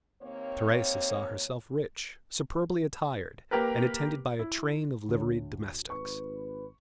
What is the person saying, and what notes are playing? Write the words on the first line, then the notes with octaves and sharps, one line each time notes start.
Teresa saw herself rich, superbly attired, and attended by a train of liveried domestics.
D#2 A#3 C4 C#5
A#3 G4 A#4 B4
E4
D2 C#5
G#1 B4 C#6